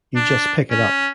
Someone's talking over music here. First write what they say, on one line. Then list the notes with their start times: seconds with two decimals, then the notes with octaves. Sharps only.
You just pick it up.
0.16 D4
0.71 C#4